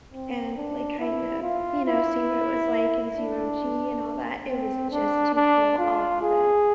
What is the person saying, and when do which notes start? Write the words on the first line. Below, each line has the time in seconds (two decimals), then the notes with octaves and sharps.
and, like, kind of, you know, see what it was like in zero G and all that. It was just too cool. All of it.
0.13 C4
0.56 D4
0.99 E4
1.43 F4
1.86 E4
3.17 D4
4.48 C4
4.91 D4
5.35 D4
5.79 F4
6.22 G#4